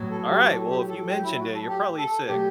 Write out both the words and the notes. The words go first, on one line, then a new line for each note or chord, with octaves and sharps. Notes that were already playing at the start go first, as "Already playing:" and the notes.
Alright, well, if you mentioned it, you're probably sick."
Already playing: A2 F#3 B3
A4
G4
A4
G4
A4
G4
E4
F#4
A4
G4
A4
B2 F#3 A3 G4